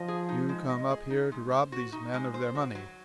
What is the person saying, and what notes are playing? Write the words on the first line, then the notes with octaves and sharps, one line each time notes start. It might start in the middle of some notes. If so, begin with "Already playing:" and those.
You come up here to rob these men of their money.
Already playing: F3 D#5
G#4
D#4
G#3
D#5
G#4
D#4
G#3
C5
F#4
D#4
G#3
C5
F#4
F#3